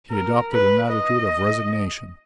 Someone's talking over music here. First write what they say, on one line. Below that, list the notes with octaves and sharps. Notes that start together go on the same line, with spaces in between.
He adopted an attitude of resignation.
A#4
B4
D#5